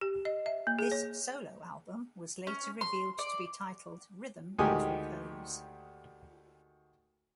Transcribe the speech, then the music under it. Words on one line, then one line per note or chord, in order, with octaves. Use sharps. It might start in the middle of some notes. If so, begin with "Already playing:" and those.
This solo album was later revealed to be titled "Rhythm and Repose".
G4
D#5
E5
A#3
G#4
C#5
C#4
C6
D5
D2 D#3 G#3 G4 G#5 D#6